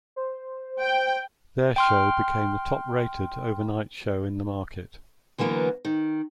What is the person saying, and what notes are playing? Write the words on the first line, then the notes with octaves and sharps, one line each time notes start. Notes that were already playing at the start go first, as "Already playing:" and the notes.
Their show became the top-rated overnight show in the market.
C5
G5
G5 C6 F6
D3 E3 F#3 A#3 B3
D#3